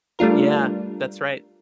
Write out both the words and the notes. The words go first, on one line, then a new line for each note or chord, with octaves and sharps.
Yeah, that's right.
G3 A3 D4 F4 A#4